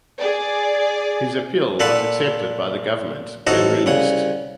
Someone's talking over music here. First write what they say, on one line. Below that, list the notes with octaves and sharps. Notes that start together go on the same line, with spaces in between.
His appeal was accepted by the government and released.
G#4 D5
A#2 A4 B4 D5 F#5 C6
A1 D#4 F#4 A4 C5 D#5
C2 C#3 F#5 D#6